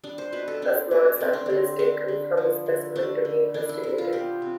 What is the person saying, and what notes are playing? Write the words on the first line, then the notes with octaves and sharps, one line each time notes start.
A small sample is taken from the specimen to be investigated.
G3 D4
C5
B2 B4
A4
C4 D4
B2
A3 C4
D4
D3 C4
C4 D4
D3
F3
D3
A3 D4
D3
E3 D4
E4
C3 E4
F4
B3 G4
C3